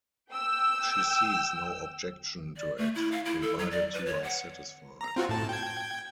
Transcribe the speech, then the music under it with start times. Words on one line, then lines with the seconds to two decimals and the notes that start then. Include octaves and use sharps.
She sees no objection to it, provided you are satisfied.
0.31 G5 E6
2.57 D5
2.78 A3
2.95 E4
3.12 F5
3.25 E4
3.42 A4
3.59 F#3
3.71 D5
3.93 B4
4.06 C#5
4.23 F#5
5.01 A#5
5.16 C4 F4 F#4
5.29 A2 A5
5.49 G5 G#6